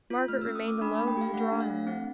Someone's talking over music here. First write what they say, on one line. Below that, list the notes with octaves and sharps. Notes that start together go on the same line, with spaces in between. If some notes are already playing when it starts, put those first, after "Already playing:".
Margaret remained alone in the drawing-room.
F4
A3 F6
E6
C#4
D#6
A3 D6
D4 B5
B5
A3
G5
G4 F5
A3 F#5
D4
F5
A3
C4 F#5